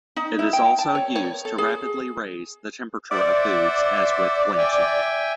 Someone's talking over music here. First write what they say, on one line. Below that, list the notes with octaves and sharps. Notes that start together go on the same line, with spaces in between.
It is also used to rapidly raise the temperature of foods, as with blanching.
D#4
E4
G5
A5
C#5
C#5
A4
G#4
C5 D5 E5 F#5
E5 G5 G#5